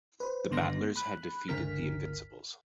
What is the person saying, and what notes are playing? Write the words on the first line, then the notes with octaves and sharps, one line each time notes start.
The 'battlers' had defeated the 'invincibles'.
B4 C5
G#1 G2 D3 B3 C6 A#6
B5 F#6
G1 C#2 D3 A#4 F6 B6